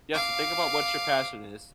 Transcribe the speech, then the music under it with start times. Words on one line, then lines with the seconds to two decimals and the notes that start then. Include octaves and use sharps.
you have to think about what your passion is,
0.14 F5 D6